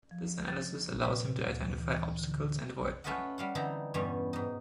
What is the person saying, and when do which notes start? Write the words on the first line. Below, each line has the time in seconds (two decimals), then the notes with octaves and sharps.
This analysis allows him to identify obstacles and avoid them.
0.11 F3
0.47 A6
0.88 A#2
1.03 B4
1.43 D2
1.78 E3
2.19 D3
2.32 D3
3.04 A3 C#4 F4 B4 D#5 F#5
3.38 G3 F5 F#5
3.55 D3 E3 C4 D#4 A#5
3.94 E2 G2 B2 G3 C#4
4.33 G#2 D#4